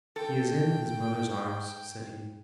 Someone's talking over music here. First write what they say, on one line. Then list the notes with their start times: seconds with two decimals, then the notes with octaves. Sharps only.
'He is in his mother's arms,' said he.
0.16 A4 G5